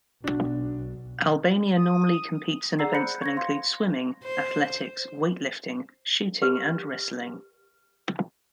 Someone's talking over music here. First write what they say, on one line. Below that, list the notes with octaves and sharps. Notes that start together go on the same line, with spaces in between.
Albania normally competes in events that include swimming, athletics, weightlifting, shooting and wrestling.
B1 D4 F#4
D#6
G#4 D5 F#5 A#5 E6 C7
C5 B5 F#6 G6 C#7
C#6 G#6 A#6
F5 C6
C5
G4 B4